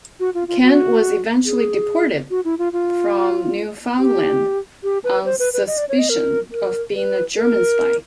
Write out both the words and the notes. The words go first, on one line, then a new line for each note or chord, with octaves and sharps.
Kent was eventually deported from Newfoundland on suspicion of being a German spy.
F#4
F4
F4
F#4
G#4
F#4
E4
F4
F4
G4
G4
B4
C5
B4
B4
D#5
D5
C#5
D#5
A#4
A#4
B4
A#4